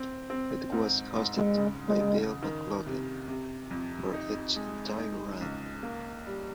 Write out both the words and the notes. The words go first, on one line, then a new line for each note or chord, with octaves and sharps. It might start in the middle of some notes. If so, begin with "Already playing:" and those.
It was hosted by Bill McGlaughlin for its entire run.
Already playing: C4
C4
G#2
G#2
C#3
C#3
D#3
C3
C3
F2
D#4
G#3
D#4
C#2
A#3
G3